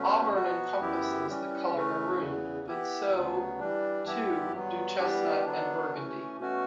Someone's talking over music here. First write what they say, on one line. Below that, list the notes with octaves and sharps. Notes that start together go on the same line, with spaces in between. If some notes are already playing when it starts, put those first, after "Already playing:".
Auburn encompasses the color maroon, but so too do chestnut and burgundy.
Already playing: B2 F#3 A3 C#4
B2 F#3 B3 F#4
F#2 E3 B3 E4 G4
E3 G3 C#4
C#3 E3 A3 C#4
E2 C#3 E3
E3 B3 E4 G4
D2 C#3 F#3 B3
E3 G3 D4
G2 E3 B3 E4 G4
G2 F#3 B3
E3 G3 B3 D4 G4
D3 F#3 B3 D4
E3 A3 C#4
B2 A3 C#4 F#4